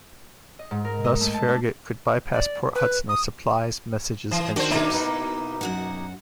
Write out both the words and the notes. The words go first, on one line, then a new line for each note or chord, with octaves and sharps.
Thus, Farragut could bypass Port Hudson with supplies, messages, and ships.
D#5
G#2
A#4
D#5
A3
A5
D4
D5
B4
D#6
E3
D#3 C#4 D4 F#4 C5
B2 A#3 D#4
E4 B4
F#2 F#4 F#5